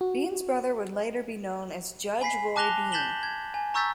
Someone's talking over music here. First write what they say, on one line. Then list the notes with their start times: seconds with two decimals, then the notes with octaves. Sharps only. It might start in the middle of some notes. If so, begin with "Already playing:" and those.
Bean's brother would later be known as Judge Roy Bean.
0.01 F#4
2.21 G#5 B5 B6 C7
2.56 A5 D6 F#6 A#6 F7 G7
2.92 G6 A6 B6 E7 F#7 G7
3.23 G#6
3.54 G#5
3.74 A#5 C#6 E6 G6 A6 B6